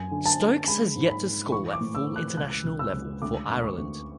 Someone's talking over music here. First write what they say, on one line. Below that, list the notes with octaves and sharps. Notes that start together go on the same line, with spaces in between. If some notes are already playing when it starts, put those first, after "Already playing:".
Stokes has yet to score at full international level for Ireland.
Already playing: F#2 G#5
D3
A5
D3
G#3 B5
G#2
B5
G#2
E3 C#6
D6
A2
E6
E3
F#6
C#2 F#6
C#2
E6
C#2
D2 D6
D2
C#6
D2